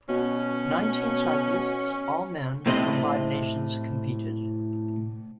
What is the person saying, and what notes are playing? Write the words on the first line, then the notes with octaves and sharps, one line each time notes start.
Nineteen cyclists, all men, from five nations competed.
B2 C#4
A2 C3 A3 C4 D#5